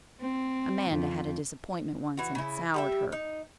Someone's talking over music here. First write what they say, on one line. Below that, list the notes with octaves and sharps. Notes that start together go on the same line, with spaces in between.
Amanda had a disappointment once and it soured her.
C4
F2
E3 F#4
C#3 E4
G3 G4 E5
D#4